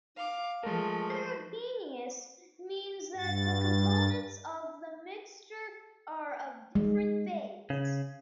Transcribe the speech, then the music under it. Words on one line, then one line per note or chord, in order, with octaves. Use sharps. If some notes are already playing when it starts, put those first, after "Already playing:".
"Heterogeneous" means that the components of the mixture are of different phase.
F5 D6
F3 G#3 A3 A#4
G2 A6
G#3
C#3